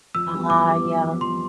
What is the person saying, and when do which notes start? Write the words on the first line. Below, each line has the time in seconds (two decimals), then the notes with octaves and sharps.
Ah, yeah.
0.15 F2 E6
0.33 E3 G3 B3
0.50 F2 D6
0.68 E3 G3 B3
0.85 F2
1.04 E3 G3 B3
1.21 F2 C6